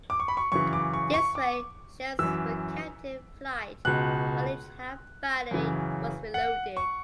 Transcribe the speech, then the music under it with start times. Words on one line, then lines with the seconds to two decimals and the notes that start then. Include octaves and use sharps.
This way, shells were kept in flight while each half-battery was reloaded.
0.10 D6
0.20 C#6
0.28 B5
0.37 C#6
0.52 F#2 C#3 E3 C#6
0.73 D6
0.94 C#6
1.14 C#6
1.35 D6
2.19 F#2 E3 E6
3.85 C#2 B2 F#6
5.51 F#2 C#3 E3
6.34 F#5
6.77 C#6